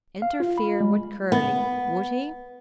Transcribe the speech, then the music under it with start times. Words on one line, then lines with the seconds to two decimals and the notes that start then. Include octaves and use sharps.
Interfere with Curly, would he?
0.22 F5
0.40 F4
0.58 B5
0.81 G#3
1.32 B3